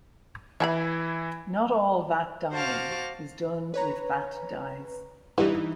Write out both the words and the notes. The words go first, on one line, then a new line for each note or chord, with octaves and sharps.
Not all vat dyeing is done with vat dyes.
E3 E4 E5 A5 B5
F#4 C5 F5 A5 D6 F6
B4 C#5 A#5
G2 E3 D#4 E4